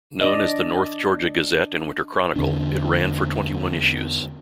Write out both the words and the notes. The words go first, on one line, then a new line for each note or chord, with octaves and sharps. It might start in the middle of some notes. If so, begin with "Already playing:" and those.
Known as the "North Georgia Gazette and Winter Chronicle", it ran for twenty-one issues.
D4 D5 D#5
E2 D3 C4 D4